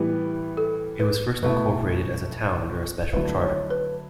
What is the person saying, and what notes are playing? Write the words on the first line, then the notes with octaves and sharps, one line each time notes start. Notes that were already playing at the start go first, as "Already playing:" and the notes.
It was first incorporated as a town under a special charter.
Already playing: A2 E3 G3 B3
A4
B4
B2 A3 E4 B4
D3 F#3 A3 E4 B4
C#5
B4